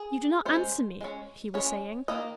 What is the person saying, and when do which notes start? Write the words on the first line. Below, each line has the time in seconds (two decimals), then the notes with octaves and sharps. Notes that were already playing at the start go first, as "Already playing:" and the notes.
"You do not answer me," he was saying.
Already playing: G#4
0.45 G#3 C#4 C5
1.01 G#3 C#4
1.54 G#3 C#4 C#5
2.08 D#3 A#3 D#5